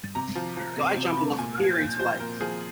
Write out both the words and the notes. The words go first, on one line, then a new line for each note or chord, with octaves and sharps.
Guy jumping off a pier into lake.
C3 A#5
F3
F3
C3
C3
C3
A#2 G#5
F3
A#2
F3 C5
A#2 A#4
F3 G#4